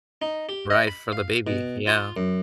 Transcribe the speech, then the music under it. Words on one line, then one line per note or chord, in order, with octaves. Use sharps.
Right, for the baby, yeah.
D#4
G4
D#5
B5
F5
B2
F4
F#2